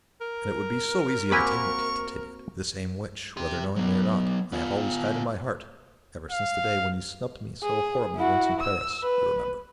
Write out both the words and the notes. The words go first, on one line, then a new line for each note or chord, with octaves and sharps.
"And it would be so easy of attainment," he continued, "this aim which, whether knowingly or not, I have always had in my heart--ever since the day when you snubbed me so horribly once in Paris, you remember."
A#4
A#3 C4 F#4 G#5 B5 C#6 D6
G4 C6
F#3 B3
B3 F4
F5
G#4
E4 F#4
E6
B4